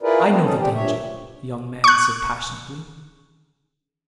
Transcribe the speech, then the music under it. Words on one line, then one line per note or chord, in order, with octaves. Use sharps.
"I know the danger," the young man said passionately.
E4 F4 G#4 A#4 B4 D5
B3 C4 D4
C#4 D#4 A4
G3 C4 G4
G2 A#2 C#5 E5
C#6 F#6